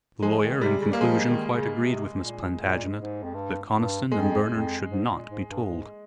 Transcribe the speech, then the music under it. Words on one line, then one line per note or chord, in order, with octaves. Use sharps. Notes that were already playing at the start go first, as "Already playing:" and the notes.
The lawyer, in conclusion, quite agreed with Miss Plantagenet that Conniston and Bernard should not be told.
F3 G#3
D#3
C3 G3
C#3
G3 A#3
F3 G#3
D#3
C#3
C3
A#2
A#2
G#2
F2
G2
G2
F2 G#3
F2
G#2
A#2
G#2
G2
G#2